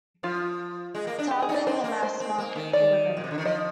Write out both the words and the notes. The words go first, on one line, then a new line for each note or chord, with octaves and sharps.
Targeting the mass market for women.
F3 F4
G#3
A#3
D4
G4
G#4
D#4
D5
C4 C5
A#3
C5
C4
A#3
D#3
D#3 D5
A#2
C3
D3
D#3
F3 D#5